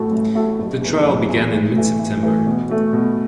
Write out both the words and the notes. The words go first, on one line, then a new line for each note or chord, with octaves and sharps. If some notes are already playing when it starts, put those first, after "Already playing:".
The trial began in mid-September.
Already playing: A1 A2 A3 F#4 A4
A1
A2 A3 F#4 A4
F#1
E2 E3
F#1
E2 E3
A2
E3 A3
A2
E3 A3
B2
A3 F#4
B2